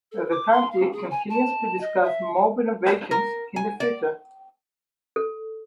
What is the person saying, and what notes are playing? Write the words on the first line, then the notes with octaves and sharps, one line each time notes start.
The county continues to discuss more renovations in the future.
A4
D6
C6
F5
G#4
G#5
A5
D#5
E5
A#4
G#5
D5
A4